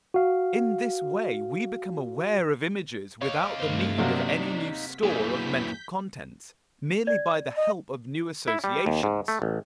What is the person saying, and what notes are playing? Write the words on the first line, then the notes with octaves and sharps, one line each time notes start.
In this way we become aware of images without the need of any new store of mental contents, merely by the help of new associations.
F#4 F5
D#4 C#5 F5 D6
G2 C3 A3 G#4 A#4 C5
C3 F#3 A#3 C#4 D4 D5 B6
D2 E3 F#3 A#3 E4 G#4 G6 B6
D5
D#5
E4
G3
D#2
G#2
A3
A1